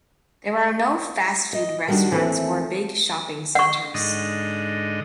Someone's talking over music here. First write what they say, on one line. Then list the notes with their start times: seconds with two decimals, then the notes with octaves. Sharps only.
There are no fast food restaurants or big shopping centers.
1.53 D#5
1.87 D#3 G3 D4 D#4 F#4 A#4
2.12 D#2 E3 A3 C4
3.55 F#5 C#6
3.94 G#2 D3 D#5